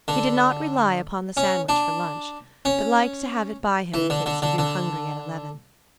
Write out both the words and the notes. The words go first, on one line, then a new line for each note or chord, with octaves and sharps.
He did not rely upon the sandwich for lunch, but liked to have it by him in case he grew hungry at eleven.
D3
C#4
D4
C#4
E3
D3
D3
D3
D3